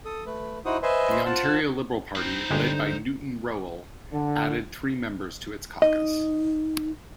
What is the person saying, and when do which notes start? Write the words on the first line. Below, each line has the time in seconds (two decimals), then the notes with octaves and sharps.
The Ontario Liberal Party, led by Newton Rowell, added three members to its caucus.
0.05 A4 D#6
0.26 A3 B4
0.65 D#4 E4 F#4 C5 F#5 D#6
0.83 B4 C5 D#5 E5 G#5 C6
1.25 F4 C5 F#5 A5
2.16 C4 D#4 B4 C5
2.51 G1 D3 G#3 G4
4.13 D3
5.82 D#4 D#5